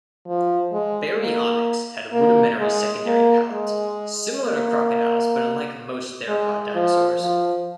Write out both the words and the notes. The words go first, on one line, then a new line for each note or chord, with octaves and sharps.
"Baryonyx" had a rudimentary secondary palate, similar to crocodiles but unlike most theropod dinosaurs.
F3
G#3
A#3
A#3
G#3
A#3
G#3
A#3
G#3
F3
F3